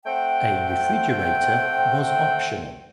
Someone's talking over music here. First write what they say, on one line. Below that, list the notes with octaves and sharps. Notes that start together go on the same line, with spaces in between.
A refrigerator was optional.
A3 C4 F#5 G5